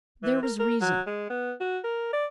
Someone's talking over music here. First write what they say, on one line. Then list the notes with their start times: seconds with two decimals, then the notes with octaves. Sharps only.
There was reason.
0.23 E3
0.43 A#4
0.59 A#4
0.81 F#3
1.07 G#3
1.30 B3
1.60 F#4
1.84 A#4
2.13 D5